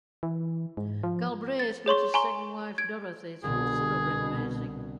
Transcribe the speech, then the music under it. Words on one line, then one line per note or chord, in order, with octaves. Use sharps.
Galbreath met his second wife Dorothy through Thoroughbred racing.
E3
G#2
F3
A6
G#4 C#5 C6 C#6
G#5 A#5 C6 C#6
G#6 D7
C2 B2 D3 G#4